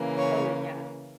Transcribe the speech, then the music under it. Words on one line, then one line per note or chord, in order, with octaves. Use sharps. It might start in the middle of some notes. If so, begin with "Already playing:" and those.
Oh, yeah.
Already playing: C#3 E3 A#3
C#5